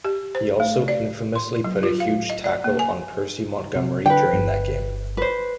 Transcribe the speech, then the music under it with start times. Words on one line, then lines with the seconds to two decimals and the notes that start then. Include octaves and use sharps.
He also infamously put a huge tackle on Percy Montgomery during that game.
0.05 G4
0.35 C5
0.60 A3
0.88 D5
1.36 C6
1.64 F#3
1.83 F4
2.00 F5
2.30 D#5
2.44 D5
2.64 A#3
2.79 G#5
3.76 C3
4.06 D3 B4 G5
4.33 G1
5.17 B4 C5